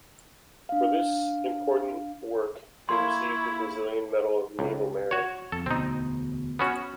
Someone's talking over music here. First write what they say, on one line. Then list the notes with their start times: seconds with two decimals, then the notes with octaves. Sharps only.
For this important work he received the Brazilian Medal of Naval Merit.
0.69 D4 F5
2.89 A#3 E4 A4 C#5 F5 C6
4.59 C#2
5.11 F#4 C#5
5.52 F2 A4
5.66 E1 D2 B2 C4 D#4
6.59 B3 C#4 F#4